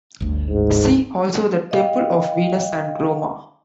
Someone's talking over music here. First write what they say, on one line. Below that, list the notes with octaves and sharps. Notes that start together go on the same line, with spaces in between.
See also the Temple of Venus and Roma.
G1 D2
G#2
D#5 F5 G5